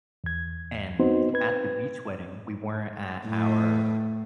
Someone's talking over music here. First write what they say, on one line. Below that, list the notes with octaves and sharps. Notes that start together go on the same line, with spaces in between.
and at the beach wedding, we weren't at our,
E2 G#6
B3 C4 D#4 F#4 C5
B4 G#6
A2